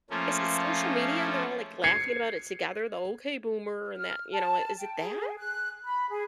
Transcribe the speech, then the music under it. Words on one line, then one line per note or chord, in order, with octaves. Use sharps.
Is it social media, and they're all, like, laughing about it together? The, "Okay boomer," and that you know, is it that?
F3 A3 A#3 C#4 F4
G#6 C7 C#7
F6
A5
G5
G#4
F#6
B5
G#4